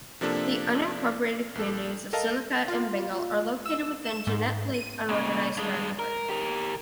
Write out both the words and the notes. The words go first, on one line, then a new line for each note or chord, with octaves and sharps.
The unincorporated communities of Silica and Bengal are located within Janette Lake Unorganized Territory.
C3 F3 A#3 D4 A4
A#1 A4
A4 A#4 D#5 F5 A5 A6
F4
E6
E7
G#2
D#7
A#2 C#3
G2 G#3
A#4
G4 A#4